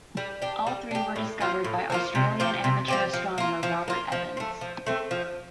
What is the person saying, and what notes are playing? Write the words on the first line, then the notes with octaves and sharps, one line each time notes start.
All three were discovered by Australian amateur astronomer Robert Evans.
G3
D4 G4
G3
D4 G4
A2
F3 A#3 F4
A2
F3 A#3 F4
C3
F3 C4 G4
C3
F3 C4 G4
F3
A#3 F4
F3
A#3 F4
F3
C4
A3
F3
A3 C4
F3